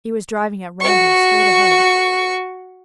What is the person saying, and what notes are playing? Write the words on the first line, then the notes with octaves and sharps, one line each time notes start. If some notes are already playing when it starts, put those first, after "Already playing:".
He was driving at random, straight ahead.
F#4 C#6